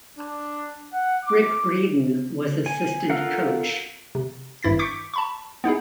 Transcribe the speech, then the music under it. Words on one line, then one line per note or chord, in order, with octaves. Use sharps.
Brick Breeden was assistant coach.
D4
F#5
D6
G#5
F4 A4 A#4 F5 F#5
C3
G#1 G2 E4 A6 B6
C#6 D6 G6 B6 C#7 D7
A5 B5 C#6
B3 D#4 E4 G#4